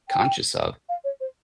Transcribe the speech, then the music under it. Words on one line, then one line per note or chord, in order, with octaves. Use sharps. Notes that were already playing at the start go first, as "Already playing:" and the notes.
conscious of.
G5
F5
C#5
C5